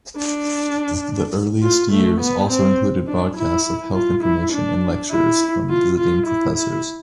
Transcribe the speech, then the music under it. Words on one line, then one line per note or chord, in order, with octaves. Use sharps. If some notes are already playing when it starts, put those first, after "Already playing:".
The earliest years also included broadcasts of health information and lectures from visiting professors.
D4
F4
A3
B3
C4
D4
E4
F4
E4
D4
E4
F4
F4
E4
E4